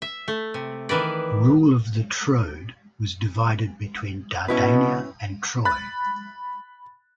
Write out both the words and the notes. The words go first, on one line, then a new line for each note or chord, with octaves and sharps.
Rule of the Troad was divided between Dardania and Troy.
E5
A3
C3
D#3 E3 B4 D5
B2 C#4 E4 B4
B5 F#6 A6